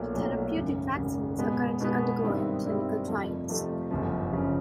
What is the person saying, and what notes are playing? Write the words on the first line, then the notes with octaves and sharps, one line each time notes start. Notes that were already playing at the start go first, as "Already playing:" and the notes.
Therapeutic vaccines are currently undergoing clinical trials.
Already playing: B1 A#2 F#3 A3
B1 A#2 F#3 A3
G#1 F#2 C#3
G#1 F#2 C#3
B2 G#3 B3
B2 G#3 B3
G2 D#3 G3 C4 E4
G2 D#3 G3 C4 E4
F2 C3 F3 A3
F2 C3 F3 A3
G1 F#2 C#3 F3
G1 F#2 C#3 F3